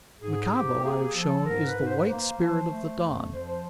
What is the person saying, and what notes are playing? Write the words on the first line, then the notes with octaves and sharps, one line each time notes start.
Michabo, I have shown, is the white spirit of the Dawn.
G#2 G#4
G#4
G#2 G4
G4
A#3 G#4
G4
G#4
F3 A4
G#2 A#4
B4
G#2
C5
B4
A#3 C5
F3
A3
F2
F3 C5
C5